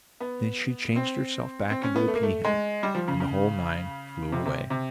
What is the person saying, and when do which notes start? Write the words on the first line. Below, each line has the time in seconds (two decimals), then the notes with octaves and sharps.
Then she changed herself back into a pea-hen, and the whole nine flew away.
0.20 B3
0.96 C4
1.70 C4
1.83 C#4
1.96 B3
2.07 A3
2.15 A#3
2.23 A3
2.45 G#3
2.83 G3
2.95 F3
3.08 C#3
3.20 C#3
4.32 C3
4.45 C3
4.70 C3